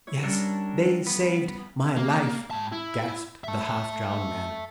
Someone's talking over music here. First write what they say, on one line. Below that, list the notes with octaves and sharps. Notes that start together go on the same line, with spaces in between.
"Yes--they saved--my life!" gasped the half-drowned man.
E4 C#5
G3 C#4 D4 A4 A#4
B3 B4
A#3
G#2 A5
E4
E5 A5